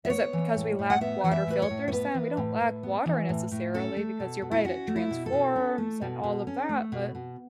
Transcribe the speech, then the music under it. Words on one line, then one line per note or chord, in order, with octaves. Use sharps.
Is it because we lack water filters then? We don't lack water necessarily, because you're right, it transforms and all of that, but
E5
B3 C#5
E3
A2
A2
F#5
B3 E5
E3 F#5
E5
A2 B4
C#5
A2
C#5
B3 B4
E3
A2
A2
B3
E3
A2
A2
C#4 A4
A3
B2
B2
E4
C#4 F#4
A3
E4
B2
A4
B2
C#4
A3
B2
B2
C#4
A3
B2
B2